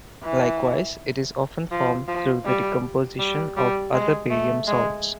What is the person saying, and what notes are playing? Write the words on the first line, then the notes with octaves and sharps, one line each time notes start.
Likewise, it is often formed through the decomposition of other barium salts.
E3
F3
F3
G3
G3
G3
G#3
A3
G#3